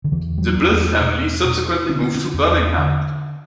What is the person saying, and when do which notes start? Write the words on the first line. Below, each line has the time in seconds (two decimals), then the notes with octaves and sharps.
The Blyth family subsequently moved to Birmingham.
0.04 D3
0.12 E2 E3
0.38 G3
0.42 F#3
0.57 E2
0.71 A3
1.01 B2
1.45 B2
1.89 D3 C#4
2.02 B3
2.15 C#4
2.34 E2
2.78 D3